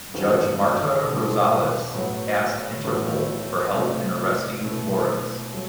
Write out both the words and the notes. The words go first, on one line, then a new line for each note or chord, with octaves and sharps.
Judge Marta Rosales asked Interpol for help in arresting Flores.
G2 E3 G3 C4 F#4
B2 G3 D4
A2 F#3 B3 F#4
A2 E3 B3 F#4 A4
C3 F#3 A3 C4
B2 A3 E4
F#3 A3